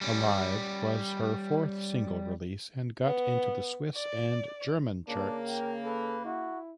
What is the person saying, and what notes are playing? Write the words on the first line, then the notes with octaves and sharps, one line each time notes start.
"Alive" was her fourth single release and got into the Swiss and German charts.
G3 C#4
B3
D5
C#3 A#3 D4 A#4
G5
A4 B4
E4 F#4